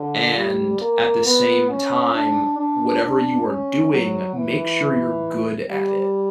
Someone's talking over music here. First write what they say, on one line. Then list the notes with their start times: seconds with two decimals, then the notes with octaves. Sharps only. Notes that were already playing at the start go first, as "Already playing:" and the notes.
and at the same time whatever you are doing, make sure you're good at it."
Already playing: D3
0.37 G3
0.81 A#3
1.26 B3
1.70 C#4
2.15 D4
2.59 D4
3.03 D4
3.48 C#4
3.92 F#3
4.36 E3
5.69 G3